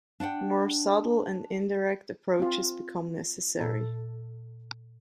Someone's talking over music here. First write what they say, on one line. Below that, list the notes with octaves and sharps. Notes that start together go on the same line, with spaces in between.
More subtle and indirect approaches become necessary.
D4 D5 F#5 G5
C4 F4
A#2 A4